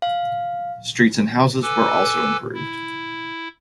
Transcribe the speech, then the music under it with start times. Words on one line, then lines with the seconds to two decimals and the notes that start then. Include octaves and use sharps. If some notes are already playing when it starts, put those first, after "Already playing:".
Streets and houses were also improved.
0.02 F5
1.62 A4 B4 G#5 D6 E6
2.54 E4